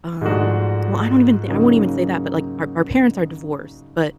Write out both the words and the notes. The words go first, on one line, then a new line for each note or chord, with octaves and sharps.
um, well, I don't even think I won't even say that, but, like, our our parents are divorced, but,
G#2 F3 A3 D4 F#4
C#3 F#3 A#3 D#4